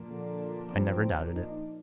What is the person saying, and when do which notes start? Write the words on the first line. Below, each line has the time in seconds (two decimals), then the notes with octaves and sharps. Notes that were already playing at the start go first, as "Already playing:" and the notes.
"I never doubted it."
Already playing: A#2 F3 A#3 D4
0.09 D3
0.72 C4
1.35 D#4